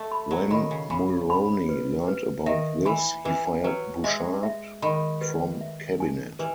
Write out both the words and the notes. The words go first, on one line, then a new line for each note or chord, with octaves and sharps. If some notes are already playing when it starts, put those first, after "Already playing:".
When Mulroney learned about this, he fired Bouchard from cabinet.
Already playing: A3
B5
F#3
D#3 B5
C#3
C#3 B5
B5
B4
B4
D#3 E5
E3 B5
E3 B4
F#3 B4
G#3 E5
E5
D#3 B5
B4
E5
G#5
E3 B4